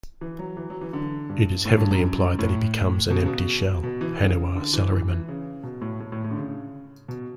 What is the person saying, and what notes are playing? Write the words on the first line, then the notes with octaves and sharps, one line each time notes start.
It is heavily implied that he becomes an empty shell, Haniwa Salaryman.
E3
F#3
E3
F#3
E3
D3
G2
A2
G2
F#2
A2
B2
C#3
B2
B2
E3
C#3
D3
E3
E3
E3
C#3
B2
A2
A2
A2
A2
D3
C#3
B2